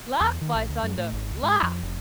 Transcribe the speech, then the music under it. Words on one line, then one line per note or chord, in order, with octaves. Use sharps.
Laugh, by thunder, laugh!
E2
D#3
A#1
D2
F#2
A2
G#1
C#2
G#2
F2
F1